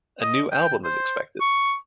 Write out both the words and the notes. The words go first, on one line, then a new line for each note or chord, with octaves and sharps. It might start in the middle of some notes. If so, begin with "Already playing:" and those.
A new album is expected.
D#5
G5
C5
C#6